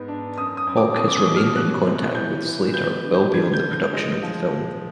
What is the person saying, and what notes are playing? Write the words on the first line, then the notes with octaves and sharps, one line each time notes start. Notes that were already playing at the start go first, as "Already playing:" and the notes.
Hawk has remained in contact with Slater well beyond the production of the film.
Already playing: G#2 B3
D4
F#2 D#6
D#6
F#2
D6
B2 D#6
D6
D#6
B2
F6
C#4 F#6
C3
E3 G6
B3
B3 G6
D3
G6
D3 G#6
G6
D3
G6
G#3
F3